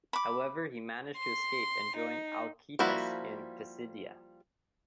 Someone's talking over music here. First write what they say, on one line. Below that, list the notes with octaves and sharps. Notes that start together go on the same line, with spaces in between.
However, he managed to escape and join Alcetas in Pisidia.
B5 D6
C6
D#4
F3 G3 A#3 E4 F#4